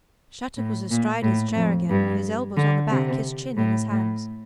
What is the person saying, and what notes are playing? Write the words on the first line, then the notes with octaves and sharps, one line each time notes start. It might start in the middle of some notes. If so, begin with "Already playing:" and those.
Shattuck was astride his chair again, his elbows on the back, his chin in his hands.
A2
A#2
A2
F2
G2
D3
C3
A2
A2